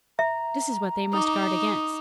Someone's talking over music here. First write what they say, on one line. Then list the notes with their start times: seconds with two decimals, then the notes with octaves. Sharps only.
This is what they must guard against.
0.19 E5 A#5
1.13 D#4 D6 D#6